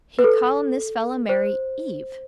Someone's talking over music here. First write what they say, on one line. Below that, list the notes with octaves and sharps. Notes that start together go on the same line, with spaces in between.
He call him this fella Mary, Eve.
B4
A4
C5